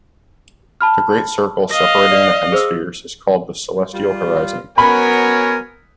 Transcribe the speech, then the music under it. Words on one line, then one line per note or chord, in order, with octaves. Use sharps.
The great circle separating the hemispheres is called the celestial horizon.
A5 B5 F6
D#5 F5 A#6
D5
G#4 C5 E6
G3 F4
B3 F#4 A#4 C#5 G#5 B5